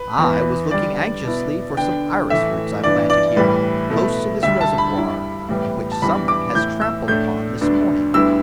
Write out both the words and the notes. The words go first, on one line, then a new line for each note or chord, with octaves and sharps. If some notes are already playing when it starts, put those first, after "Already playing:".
I was looking anxiously for some iris roots I planted here, close to this reservoir, and which some one has trampled upon this morning.
Already playing: B4
E2 E3 B3
D3 G3 D4 D5
B2 B3 E4
D3 B3 D4 G5
A2 E3 A3 E5
G2 E3 B3 D5
D5
A2 E3 G3 B4
B2 A3 E4
D2 D3 G3 E5
A5
B5
G2 G3 E4
A2 E3 G3 B3
A5
E2 E3 G3 D4 B5
D6
A2 E3 B3 E4 G6
E6
A2 A3 D4 G6
D2 D3 B3 D4
D2 D3 G3 B3 E4 E6